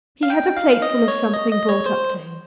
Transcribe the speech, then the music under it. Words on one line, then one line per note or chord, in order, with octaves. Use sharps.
He had a plateful of something brought up to him.
F5
G5
F5
D#5
C#5
D#5
D#5
C#5
C5